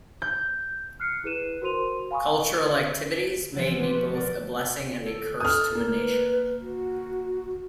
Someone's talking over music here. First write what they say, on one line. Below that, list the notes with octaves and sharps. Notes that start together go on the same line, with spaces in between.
Cultural activities may be both a blessing and a curse to a nation.
G6
F6 F#6 C7 C#7
E4 G#4 B4 F#6 D#7 E7
F#4 A#4 C5 C6 D#7 F7
F5 G#5 B5 C#6 D#6
E3 F3 B3 E4
G#3 B3 F4 G4
F#4 B4
B3 A#4 D5
A4
A4 D#6 F6
A#3
B4
F#4